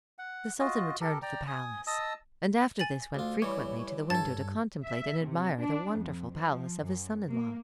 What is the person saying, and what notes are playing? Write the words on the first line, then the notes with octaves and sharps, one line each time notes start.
The sultan returned to the palace, and after this went frequently to the window to contemplate and admire the wonderful palace of his son-in-law.
F#5
F4 F#4 D#5
G4 A4 A#4
D5 G5 A#5
G#5 D#6
D#5 A5 D#6 E6
G#5 A6 F#7
D2 F4
E3 G3 C#5
G2 A4 C#5 A5 A6
E5
C3
D4
F2
F3
F#2
A#3